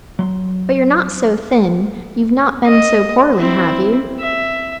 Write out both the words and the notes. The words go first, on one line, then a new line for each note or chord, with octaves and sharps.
But you're not so thin--you've not been so poorly, have you?'
F#3 C6
D#5
C4 E4
E5